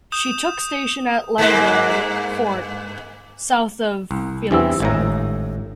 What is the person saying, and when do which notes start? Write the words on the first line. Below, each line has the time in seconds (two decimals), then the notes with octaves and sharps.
She took station at Landguard Fort, South of Felixstowe.
0.12 D#6 G6 E7
1.38 G2 G#3 A#3
4.11 C2
4.51 E2 E3 C4 D4 G4 E6
4.80 G#1 A2 A#5